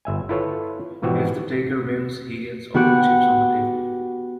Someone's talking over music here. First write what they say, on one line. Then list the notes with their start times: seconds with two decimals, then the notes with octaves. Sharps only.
If the taker wins, he gets all the chips on the table.
0.05 G1 E5 G#5
0.29 E4 F4 A4 B4 C#5
1.02 G#2 B2 E3 F3 F#4 G4
2.74 B3 F#4 G4 F#6 C#7 D7